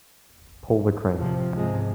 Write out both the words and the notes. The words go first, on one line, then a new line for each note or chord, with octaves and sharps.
Pull the crank.
A2 C3 F3
C#2 G#2 C3 F3 G#3